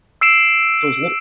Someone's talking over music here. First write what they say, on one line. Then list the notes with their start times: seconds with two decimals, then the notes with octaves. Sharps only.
So, it was lit
0.21 E6 C7 D7 E7